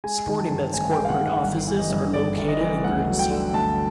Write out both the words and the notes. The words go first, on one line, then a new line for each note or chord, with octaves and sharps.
Sportingbet's corporate offices are located in Guernsey.
G#3 G#5
D#3
A5
G2
A1 G#5
G5
G#3
F5
F#5
D#3
F#5
G1 F#5
E3
D#5
G2
G1 D5
G1
D#5
E3
D2 F#5
F#3
G5
D3
D2 A5